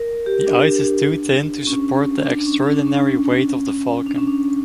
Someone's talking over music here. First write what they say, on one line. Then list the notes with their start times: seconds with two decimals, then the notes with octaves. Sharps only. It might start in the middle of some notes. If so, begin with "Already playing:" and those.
The ice is too thin to support the extraordinary weight of the Falcon.
Already playing: A#4
0.26 G4
0.47 D4
1.67 C#4
2.26 D4
2.39 D4
2.47 C#4
2.63 C#4
2.67 D4
2.87 C#4
4.06 D4
4.18 C#4
4.27 D4